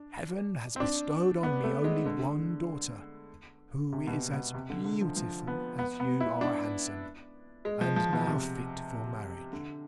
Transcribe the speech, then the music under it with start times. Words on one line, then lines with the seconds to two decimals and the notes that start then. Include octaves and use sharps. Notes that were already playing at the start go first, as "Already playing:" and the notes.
Heaven has bestowed on me only one daughter, who is as beautiful as you are handsome, and now fit for marriage.
Already playing: D4
0.76 C4
0.80 D4
1.43 B3
1.64 A3
1.84 G#3
2.06 D3
3.92 C3
4.07 B2
4.12 C3
4.33 B2
4.54 C3
4.70 D3
4.85 D3
5.01 F3
5.17 F3
5.47 B3
5.79 B3
6.00 B3
6.20 E4
6.41 D4
7.65 G#3
7.81 F3
7.96 F3
8.13 B2
8.27 C3
9.53 D3